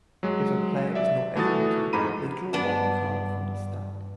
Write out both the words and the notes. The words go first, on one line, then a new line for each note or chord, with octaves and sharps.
If a player is not able to, they draw one card from the stack.
F#3 G#3
D5 E5
E3 A3 F#4 D#6 A6
F2 G#2 A#5 B5 D#7
G2 B3 D4